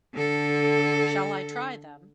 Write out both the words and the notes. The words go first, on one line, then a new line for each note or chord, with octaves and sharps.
Shall I try them?
D3 A4